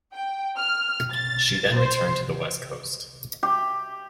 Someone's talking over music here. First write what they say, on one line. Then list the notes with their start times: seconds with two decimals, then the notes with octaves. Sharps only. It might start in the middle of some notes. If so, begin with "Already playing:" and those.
She then returned to the west coast.
0.15 G5
0.57 F6
1.11 A6
1.77 C5
3.43 G4